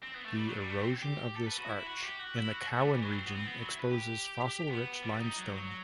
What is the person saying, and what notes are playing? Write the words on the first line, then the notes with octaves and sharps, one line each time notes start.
The erosion of this arch in the Cowan region exposes fossil-rich limestone.
C4
B3
A3
G3
F#3
G3
A3
C4
G4
A4
B4
F#4
E4
F#4
G4
F#4
E4
F#4
F#4
A3
G3
E3
F#3
C4
B3
C4
B3
F#3
E4
B4
G4
B3
G3
D#4
F#3
F#3